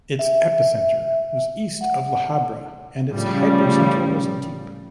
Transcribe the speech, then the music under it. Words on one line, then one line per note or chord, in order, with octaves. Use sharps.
Its epicenter was east of La Habra and its hypocenter was deep.
E5
F#5
A2 C#3 F3 G3